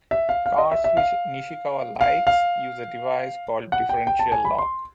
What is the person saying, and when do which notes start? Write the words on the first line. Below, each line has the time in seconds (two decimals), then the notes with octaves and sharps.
Cars, which Nishikawa likes, use a device called differential lock.
0.11 E5
0.29 F5
0.46 F5
0.58 D#5
0.71 E5
0.84 E5
0.97 F5
2.01 F5
2.27 F5
3.72 F#5
3.89 G5
4.07 G5
4.19 A5
4.32 G#5
4.45 B5
4.58 C6